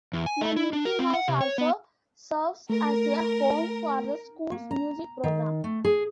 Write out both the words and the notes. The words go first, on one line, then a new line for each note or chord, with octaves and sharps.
The Meetinghouse also serves as a home for the school's music program.
E2
G#5
A3
E4
D4
A#4
C4
F#5
C3
C#5
B3
A3 A#4
A#3
A#5
D#3
A3
G#4